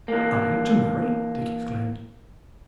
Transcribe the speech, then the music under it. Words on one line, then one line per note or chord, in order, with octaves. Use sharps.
"I to marry!" Dick exclaimed.
E3 A#3